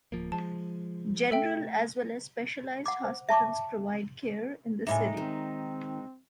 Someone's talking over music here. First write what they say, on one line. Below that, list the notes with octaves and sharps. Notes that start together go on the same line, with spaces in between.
General as well as specialized hospitals provide care in the city.
D1 F3 A#3
F3 G#3 A5
A3 A4 E5 G5
F#5 D6
C5
E5 A5 C#6 D6
A2 C3 G#3 D#4 E5 G#5
D#3 C4